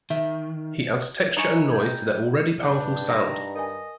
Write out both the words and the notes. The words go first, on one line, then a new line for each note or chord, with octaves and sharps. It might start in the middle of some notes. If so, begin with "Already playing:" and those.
He adds texture and noise to their already powerful sound.
D#3 E5
D#4 E4 G#5 C#6 C#7 F7
G5 G#6
G2 D4 G5
D#3 A#5
A#4 D#5 G#5